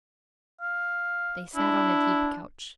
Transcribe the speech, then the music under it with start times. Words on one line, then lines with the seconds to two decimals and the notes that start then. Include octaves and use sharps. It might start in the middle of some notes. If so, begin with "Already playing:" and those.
They sat on a deep couch.
0.61 F5
1.55 D4 E4